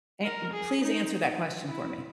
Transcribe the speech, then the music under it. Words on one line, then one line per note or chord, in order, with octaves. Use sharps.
An m please answer that question for me.
A#4
G#4
D#4
E4